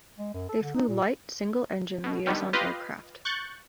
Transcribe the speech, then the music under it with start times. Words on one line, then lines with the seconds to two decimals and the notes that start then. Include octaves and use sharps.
They flew light single engine liaison aircraft.
0.18 G#3
0.34 F#2
0.49 A4
0.62 D3
0.75 D#4
0.88 A#2
2.04 B2
2.26 D3 D#3 G3 B3
2.53 F4 G4 B4 D#5 F5
3.25 C#6 F#6 G6 A6